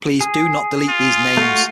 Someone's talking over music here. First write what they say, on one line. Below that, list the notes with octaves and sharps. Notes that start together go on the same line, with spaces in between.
Please do not delete these names.
G#4
F4
A3 F#4